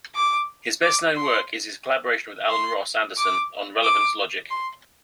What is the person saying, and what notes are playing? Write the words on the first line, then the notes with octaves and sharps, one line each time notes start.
His best-known work is his collaboration with Alan Ross Anderson on relevance logic.
D6
D6
C6
C6
D6
D6
C6